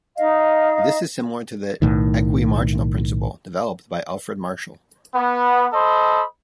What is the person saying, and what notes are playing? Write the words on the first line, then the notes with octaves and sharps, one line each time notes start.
This is similar to the "equi-marginal principle" developed by Alfred Marshall.
D#4 D#5 F5
B1 A2 D#3
B3
A4 C5 D#5 B5